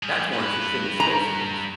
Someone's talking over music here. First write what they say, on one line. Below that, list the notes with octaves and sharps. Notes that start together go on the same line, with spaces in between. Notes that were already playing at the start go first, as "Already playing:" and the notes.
That's more interesting than space to me.
G3 G#4
G2 B4
A#5